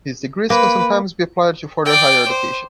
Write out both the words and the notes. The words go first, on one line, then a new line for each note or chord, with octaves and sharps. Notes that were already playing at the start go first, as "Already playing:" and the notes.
These degrees can sometimes be applied to further higher education.
A#3 B4
D5 G5
C5